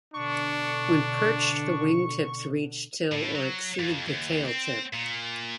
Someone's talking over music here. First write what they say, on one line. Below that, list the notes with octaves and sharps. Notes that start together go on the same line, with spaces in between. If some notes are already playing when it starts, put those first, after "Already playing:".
When perched the wing tips reach till or exceed the tail tip.
B2 D3 D4 C#6
A2
F#3
F2
D#2
C4
A#2